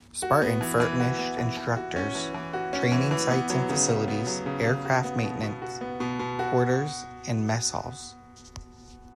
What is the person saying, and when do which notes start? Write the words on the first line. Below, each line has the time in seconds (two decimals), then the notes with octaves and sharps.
Spartan furnished instructors, training sites and facilities, aircraft maintenance, quarters, and mess halls.
0.22 F#4
0.42 B3
0.61 E3
0.80 E3
1.00 F#4
1.18 B3
1.38 E3
1.57 E3
1.77 F#4
1.96 C#4
2.15 E3
2.34 E3
2.53 F#4
2.73 C#4
2.92 E3
3.11 E3
3.31 B3
3.50 F#3
3.69 C#3
3.89 C#3
4.08 B3
4.27 F#3
4.46 C#3
4.66 C#3
4.85 F#4
5.04 B3
5.23 B2
5.43 B2
5.62 F#4
5.81 B3
6.00 B2
6.19 B2
6.39 F#4